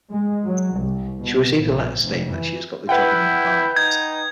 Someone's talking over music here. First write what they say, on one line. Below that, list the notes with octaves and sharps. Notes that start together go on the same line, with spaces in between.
She receives a letter stating that she has got the job in Mumbai.
G#3
F#3
C2
B2
A#1
F1
E3
E4 B4 F#5 G5 G6
D#4 G#6